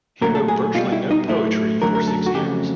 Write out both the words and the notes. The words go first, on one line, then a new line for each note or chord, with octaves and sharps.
He wrote virtually no poetry for six years.
A#2 F#3 A3 A#4
A4
G#4
B2 G3 F4
E4
D#4
A2 F#3 A3 E4
F#2 D3 F#3 A3 A#4
A#4
A4
F#4
F2 C#3 F#3 A3 G4